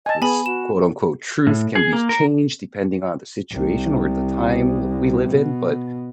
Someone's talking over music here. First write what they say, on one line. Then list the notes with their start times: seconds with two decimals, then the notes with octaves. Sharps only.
this quote unquote "Truth can be changed depending on the situation or the time we live in," but
0.06 D#5 G#5 A5
0.22 B3 G#4 G#5 B5
0.46 F#4 E7
1.47 A2
1.75 G#4
1.93 A#3
2.09 A#4
3.51 C2
5.28 B2